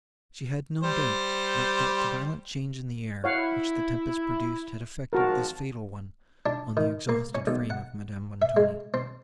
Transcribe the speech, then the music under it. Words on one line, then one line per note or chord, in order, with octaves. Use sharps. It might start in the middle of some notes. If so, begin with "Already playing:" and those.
She had no doubt but that the violent change in the air, which the tempest produced, had effected this fatal one, on the exhausted frame of Madame Montoni.
G3 C5
E4 C#5 F5 F#5
G#1 F3 F#4 A#4 A5
D4
D#3
A#3
C#4
B1
F#5
E5
G#3
C4